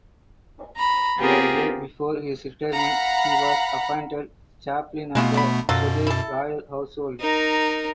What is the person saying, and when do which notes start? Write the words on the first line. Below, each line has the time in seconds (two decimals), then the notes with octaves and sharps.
A year before his retirement he was appointed Chaplain of the Swedish Royal Household.
0.75 A#5 B5
1.17 B3 C4 F4 G4 G#4 A#4
2.74 F5 F#5 A#5 B5
5.15 B2 G#3 A3 B3 E4 F4
5.34 D3 B5
5.69 F#2 B2 F#3 F4 A4
6.07 E4 A4
7.20 D#4 A#4